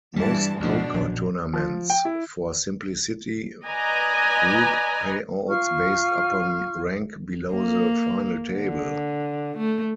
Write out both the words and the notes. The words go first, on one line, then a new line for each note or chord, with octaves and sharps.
Most poker tournaments, for simplicity, group payouts based upon rank below the final table.
G2 E3 G3 A5
D2 G#2 B2 F3 D4
A#1 F#2
F3
G5
E4
B4 D5 D#5 G#5 A#5
F4 C#6 F6
A#3
D3
A3